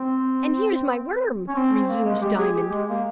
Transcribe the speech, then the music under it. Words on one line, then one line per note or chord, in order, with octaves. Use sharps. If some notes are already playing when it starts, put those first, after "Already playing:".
"And here's my worm," resumed Diamond.
Already playing: C4
C#4
C4
A#3
G#3
G4
G#4
G4
G#3
A#3